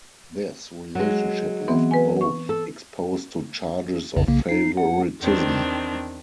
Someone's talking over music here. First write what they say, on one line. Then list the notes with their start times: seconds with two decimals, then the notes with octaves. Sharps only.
This relationship left both exposed to charges of favoritism.
0.95 F#3 G#3
1.68 E3 B3 C4
1.91 B4 G#5
2.21 C#6
2.49 A4
4.16 A1 F2 C#3
4.28 B1 C#3 A#3
4.49 D#4 C7
4.77 F#5
5.21 E2 D#3 C4 D4